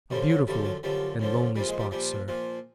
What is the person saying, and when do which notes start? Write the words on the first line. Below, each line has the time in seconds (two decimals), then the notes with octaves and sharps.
A beautiful and lonely spot, sir.
0.10 F#2 D3 F3 G3
0.30 F#3
0.47 F#2 D3 F3 G3
0.65 F#3
0.83 F#2 D3 F3 G3
1.19 F#2 D3 F3
1.56 A#2 F3 G3
1.67 G#3
1.80 G3
1.91 A#2 F3 G3
2.28 A#2 F3